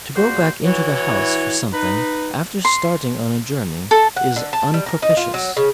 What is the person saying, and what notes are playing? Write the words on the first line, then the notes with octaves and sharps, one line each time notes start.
To go back into the house for something after starting on a journey is unpropitious.
A#2 G#3 F#4 C5 D5
E3 E4 F#4 C#5
D#4 B4
C6
A4
F#5
D3
A5
G3
A#4
D#4
F4
F#3
C#3